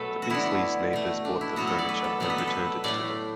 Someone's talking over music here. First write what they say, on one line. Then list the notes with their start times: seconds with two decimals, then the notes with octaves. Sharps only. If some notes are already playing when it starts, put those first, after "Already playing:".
The Beasleys' neighbours bought the furniture and returned it to them.
Already playing: B2 F#3 A3 A4 B4
0.22 F#4
0.30 D3 B3 E4
0.93 B2 A3
1.25 D4
1.41 E4
1.56 B2 F#3 B3 F#4
1.67 A4
1.79 D5
1.89 B4
2.04 A4
2.20 B2 F#3 B3 D5
2.30 B4
2.38 A4
2.47 B4
2.84 A2 A3 D5